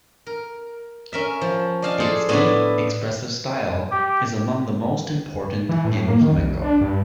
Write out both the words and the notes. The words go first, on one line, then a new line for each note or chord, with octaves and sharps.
Its deep, expressive style is among the most important in flamenco.
A#4
C#4 A#4 E5
F3
D5 D#5 F5 G#5 A5
G#4 A4 C5 D5
A2 B3 D4 E4
G4
E3
A2
A#3
D#3
C2
D4
G2